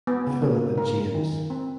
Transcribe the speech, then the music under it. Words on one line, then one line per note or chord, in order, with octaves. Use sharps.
Philip and James.
B3
C#3
A#3
A#4
D#3
C4